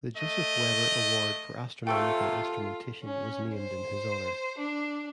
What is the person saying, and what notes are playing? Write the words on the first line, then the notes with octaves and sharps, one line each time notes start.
The Joseph Weber Award for Astronomical Instrumentation was named in his honor.
A3 D#5
C3 A3 F4 A4 G5 C#6 E6
C#4
C5
D4